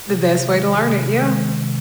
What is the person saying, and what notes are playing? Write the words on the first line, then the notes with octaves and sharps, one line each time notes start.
The best way to learn it, yeah.
C3
D#3 G#3
C3
D#3 G#3
C3